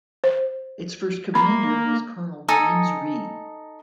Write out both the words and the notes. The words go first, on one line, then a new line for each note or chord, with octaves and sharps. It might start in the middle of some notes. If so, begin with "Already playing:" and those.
Its first commander was Colonel James Reed.
C5
A#3 A#5 B5
D#4 A4 G#5 D#6